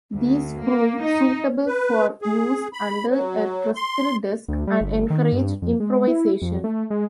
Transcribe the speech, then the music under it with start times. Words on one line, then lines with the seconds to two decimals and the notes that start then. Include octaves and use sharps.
These proved suitable for use under a trestle desk and encouraged improvisation.
0.14 D2
0.65 A#3
1.02 D#4
1.67 B4
2.22 G#4
2.73 B5
3.09 F#3
3.75 C6
4.48 D2
4.67 G3
4.81 G1
5.10 D#3
5.33 G2
5.62 F2
5.80 G#3
6.07 E4
6.42 F2
6.64 A3
6.91 G#3